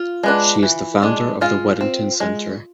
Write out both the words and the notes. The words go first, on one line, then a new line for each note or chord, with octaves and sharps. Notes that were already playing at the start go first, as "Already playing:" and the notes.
She is the founder of the Weddington Center.
Already playing: F4
G#3 B3 D4
E3
G#3 D4
G#3 F4
C4
G#3